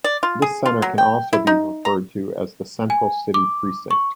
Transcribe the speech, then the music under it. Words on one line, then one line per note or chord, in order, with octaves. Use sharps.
This centre can also be referred to as the Central City precinct.
D5
F4
G#4
F4
F#3
G5
E4
D#4
A#5
G#5
D6
C#6